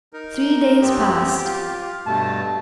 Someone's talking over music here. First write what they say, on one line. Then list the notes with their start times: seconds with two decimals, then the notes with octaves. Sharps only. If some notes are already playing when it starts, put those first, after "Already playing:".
Three days passed.
0.13 D#4 A#4
0.82 F#2 B3 C4 G4
1.44 F4
2.06 G2 B2 A3 A5